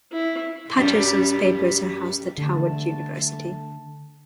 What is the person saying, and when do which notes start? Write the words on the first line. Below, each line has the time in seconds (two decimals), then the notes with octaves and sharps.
Patterson's papers are housed at Howard University.
0.12 E4
0.77 F#2 G3
2.38 D3 A3 A5